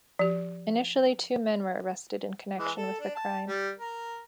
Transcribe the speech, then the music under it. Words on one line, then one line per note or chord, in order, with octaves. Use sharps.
Initially, two men were arrested in connection with the crime.
F3 G4
E3 G#3
A4
D4
A5
G3
A#4